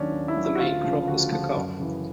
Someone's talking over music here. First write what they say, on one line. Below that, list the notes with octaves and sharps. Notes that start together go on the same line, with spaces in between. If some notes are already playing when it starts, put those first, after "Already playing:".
The main crop is cocoa.
Already playing: D#2 D#3 F#3 C#4 D4
D#2
E4
D#3 F#3
E4
F#4
D2 F4
C#3 F3
D2 F#4
C#3 F3
F#2
C#3 E3